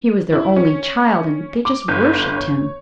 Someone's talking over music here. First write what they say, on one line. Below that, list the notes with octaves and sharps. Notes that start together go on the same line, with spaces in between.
He was their only child and they just worshipped him.
E4
C#4
D6
G1
C#5